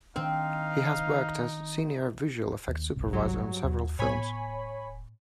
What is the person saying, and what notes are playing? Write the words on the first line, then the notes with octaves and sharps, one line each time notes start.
He has worked as senior visual effects supervisor on several films.
D#3 C4 D4 D#4 F5
D#2
G1 C2 C3
G2 F#3
D#2
A2 B3 C#5 G#5 B5